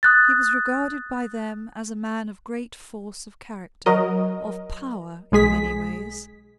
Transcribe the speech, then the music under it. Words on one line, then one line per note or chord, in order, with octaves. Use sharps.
He was regarded by them as a man of great force of character; of power in many ways.
D#6 F#6 A6
F#3 A#4 D#5
B1 G#3 G#4 B6